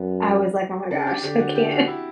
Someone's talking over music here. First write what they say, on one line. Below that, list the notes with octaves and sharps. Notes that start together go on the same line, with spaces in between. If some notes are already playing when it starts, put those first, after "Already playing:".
I was like, oh my gosh, I can't
Already playing: F#2 B3
C#3 D4
G4
D3 G4
F#4
G4
F#4
E4